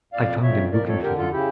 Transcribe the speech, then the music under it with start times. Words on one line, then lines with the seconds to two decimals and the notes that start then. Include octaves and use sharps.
I found him looking for you.
0.13 F2 D5 F5
0.43 F2 C#5 E5
0.73 F2 A#4 D5
0.88 A4 C#5
1.02 D3 G4 A#4
1.18 F4 A4
1.32 C#3 E4 G4